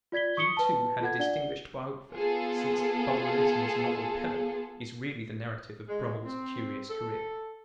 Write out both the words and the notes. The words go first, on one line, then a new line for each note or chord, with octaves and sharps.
He, too, had a distinguished biographer, since Bulwer-Lytton's novel Pelham is really the narrative of Brummel's curious career.
F4 D5 G#6 B6 G7
C#6 D#6 C#7 G7
B4 A5
F4 A4 F#5 G#6
D4 D5 F#5 G7
B3 F4 G#4 A4
G#3
C4
A4